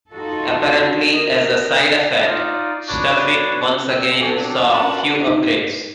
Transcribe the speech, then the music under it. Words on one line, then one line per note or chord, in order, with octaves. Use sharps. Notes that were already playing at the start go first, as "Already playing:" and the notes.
Apparently as a side-effect, StuffIt once again saw few upgrades.
D#4 F4 F#4 A4
A#4 D#5
D#4 F4 D5
D4 F#4 B4 C#5 D5
C4 E5
A#2 F#3 C4 D4 G4 A4 F#5 G#5
C#4 A#4 B4 F#5 A5 D6
D#4